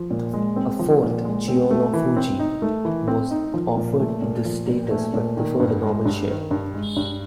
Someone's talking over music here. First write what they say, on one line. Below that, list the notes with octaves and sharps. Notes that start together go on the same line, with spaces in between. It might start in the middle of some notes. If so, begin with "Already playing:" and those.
A fourth, Chiyonofuji, was offered this status but preferred a normal share.
Already playing: F3
A#2
G#3
C4
F3
A#2
G#3
C4
A3
E3
C4
D#4
A3
E3
C4
D#4
F3
A#2
A3
A#2
F3
A#2
A3
A#2
D#3
G2
G#3
G2
D#3
G2
G#3
G2